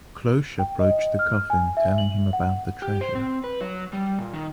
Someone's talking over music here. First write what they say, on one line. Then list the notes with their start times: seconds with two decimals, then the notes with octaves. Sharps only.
Cloche approached Coffin telling him about the treasure.
0.59 G5
0.79 D#5
1.19 F6
1.50 G#5
1.77 E5
1.98 F#7
2.33 F#5
2.82 G4
3.01 C5
3.15 C4
3.44 B4
3.61 F#3
3.93 G3
4.18 A#2
4.33 D#3